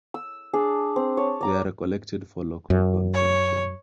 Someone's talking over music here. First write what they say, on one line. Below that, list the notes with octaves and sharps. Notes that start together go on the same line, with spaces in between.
They are collected for local consumption.
E6
D4 G#4
C4
C#5 A5
D5 A#5 D6
F#2
C#5